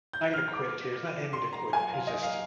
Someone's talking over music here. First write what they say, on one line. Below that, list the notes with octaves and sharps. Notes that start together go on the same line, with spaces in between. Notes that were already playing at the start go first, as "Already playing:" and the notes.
I'm not gonna quit it here, it's not in me to quit it, it's just,
G6
F6
D6
C6
A#5
G#5
F5
D#5
F5